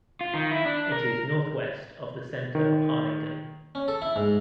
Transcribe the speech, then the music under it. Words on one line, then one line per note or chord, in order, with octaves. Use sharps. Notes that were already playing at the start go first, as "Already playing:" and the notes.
It is northwest of the center of Harlingen.
F4
D#3
E4
D4
A#4
D#3
C#4
A4
E4
G#2